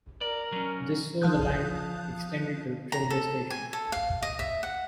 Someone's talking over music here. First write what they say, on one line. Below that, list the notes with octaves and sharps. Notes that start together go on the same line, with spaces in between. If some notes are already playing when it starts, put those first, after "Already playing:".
This saw the line extended to Trimley station.
A#4 D5
F#3 C#4
F3 F5 A5 D#6 F#6 G6
A#5
A4
G#5
A4
F5
D#5
E5
F#5